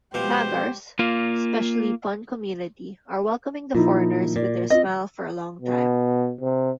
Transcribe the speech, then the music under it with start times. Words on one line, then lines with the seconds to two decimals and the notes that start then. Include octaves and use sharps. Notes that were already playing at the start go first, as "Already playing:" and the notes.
Magars specially Pun community are welcoming the foreigners with their smile for long time.
0.14 B2 F3 G#3 D4 G4 C5
0.99 A#3 F4
3.75 A#2 F3 D#4 E4
4.36 A#2 D5
4.70 C4 F4 D#5
5.62 B2
6.41 C3